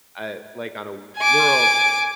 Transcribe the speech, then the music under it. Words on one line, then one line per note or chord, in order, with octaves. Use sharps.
Uh, like, on a w world
G#5 D6